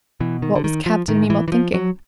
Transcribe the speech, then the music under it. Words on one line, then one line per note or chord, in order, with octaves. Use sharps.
What was Captain Nemo thinking?
B2 E3
D#3
D3
D#3
F3
A2 D#3
E3
E3
F3
F#3